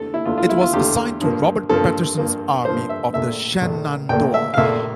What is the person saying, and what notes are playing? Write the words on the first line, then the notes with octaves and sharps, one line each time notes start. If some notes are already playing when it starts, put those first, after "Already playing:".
It was assigned to Robert Patterson's Army of the Shenandoah.
Already playing: E2 D3 A3 A4
E4
E2 D3 A3 F4
F4
E4
F4
E2 D3 A3 G4
G2 F3 A#3
G2 F3 A#3 A4
G2 F3 A#3
G2 F3 A#3 C5
E5
A#1 A#2 A3 E5
A#1 A#2 A3
A#1 A#2 A3 G5
E5
F5
A#1 A#2 A3 E5